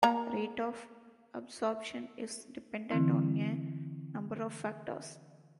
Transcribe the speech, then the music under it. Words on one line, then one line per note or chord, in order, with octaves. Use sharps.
Rate of absorption is dependent on a number of factors.
A#3 A#5
D3 E3 C4 E4